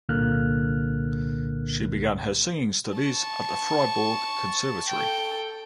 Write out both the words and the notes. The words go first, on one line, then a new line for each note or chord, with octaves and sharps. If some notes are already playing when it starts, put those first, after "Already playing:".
She began her singing studies at the Fribourg Conservatory.
C2 A#2 D3 A#3 F6 F#6
A5 C#6
A4 G5